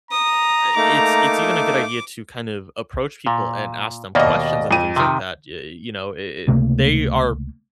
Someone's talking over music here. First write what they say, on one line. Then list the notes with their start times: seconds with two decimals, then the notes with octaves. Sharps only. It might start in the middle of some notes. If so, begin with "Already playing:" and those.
uh, it's it's even a good idea to kind of approach people and ask them questions and things like that, ya uh, you know, i it they are
0.11 A#5 D#6
0.76 A3 A#3 D#4 D6
3.27 A#2
4.15 D#2 B2 A#3 D5 D#5
4.71 F2 D#7
4.96 C3 D#3
6.48 C#2 C3 A3 A#3